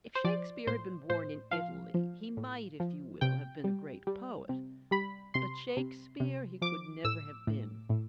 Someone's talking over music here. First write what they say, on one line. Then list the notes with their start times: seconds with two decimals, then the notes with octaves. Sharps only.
If Shakespeare had been born in Italy he might, if you will, have been a great poet, but Shakespeare he could never have been.
0.15 C5
0.24 F3 D5
0.67 A2 C5
1.10 A2 C5
1.51 F3 F5
1.94 F3
2.37 A2
2.80 F3
3.21 C3 G5
3.64 G3
4.07 G3
4.49 C3
4.91 G3 B5
5.34 C3 C6
5.77 C3
6.20 C3
6.62 F3 D6
7.04 A2 E6
7.47 A2
7.89 A2